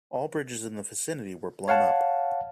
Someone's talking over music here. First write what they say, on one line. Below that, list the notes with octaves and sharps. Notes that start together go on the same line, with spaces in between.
All bridges in the vicinity were blown up.
C#5 F5 F#5 A5